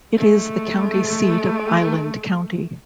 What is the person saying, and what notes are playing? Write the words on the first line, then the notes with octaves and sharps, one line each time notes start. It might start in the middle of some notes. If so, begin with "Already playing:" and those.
It is the county seat of Island County.
G#3 A3